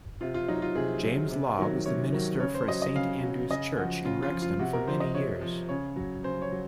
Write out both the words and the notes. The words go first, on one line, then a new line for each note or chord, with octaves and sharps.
James Law was the Minister for Saint Andrew's Church in Rexton for many years.
C3 F4
F4
F#3 D#4
F4
C3 G#4
F#3
C3
D#3 F#3
C3 C#5
D#3 F#3
C#3 C#5
C5
F#3 D#5
D#5
C#3 F5
F#3
C#3 D#5
F3 F#4
C#3 F4
F4
F3
F4
C3 F#4
A#4
F3 C5
D#5
C3 C#5
F3
C#3 C#5
F#3
C#3 C5
C#5
F#3